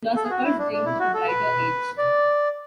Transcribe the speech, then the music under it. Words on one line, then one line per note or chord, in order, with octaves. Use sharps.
Philosophers dreamed of a brighter age.
A4
G#4
F#4
E4
D4
D4
E4
F#4
A4
B4
D5